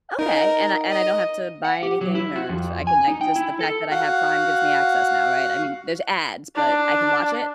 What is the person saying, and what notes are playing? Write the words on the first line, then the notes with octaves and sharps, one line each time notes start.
Okay, and I and I don't have to buy anything or sh I can like, just the fact that I have Prime gives me access now, right? I mean, there's ads, but I can watch it?
D#4 A#4
D#5
F#5
G4
F#3
E4
F#4
F2
G#5
D#4
G5
E4
A4
F#4 F5 F#5
D4